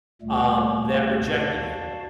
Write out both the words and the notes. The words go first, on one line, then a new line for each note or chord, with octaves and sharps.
um, that rejected him
D2 A#2 G3 A3
F#4 D5 F5 A5